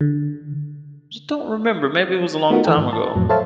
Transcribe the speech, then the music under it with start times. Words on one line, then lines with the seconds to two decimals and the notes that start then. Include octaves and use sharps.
just don't remember, maybe it was a long time ago?
0.01 D3
2.50 A3 B3 D#4 F4 F#4 A#4
2.64 D#3 E3 A4 G5
2.78 G#2
2.93 A5
3.15 F2 A2 F#3
3.29 A4 C5 C#5 E5 F5 A5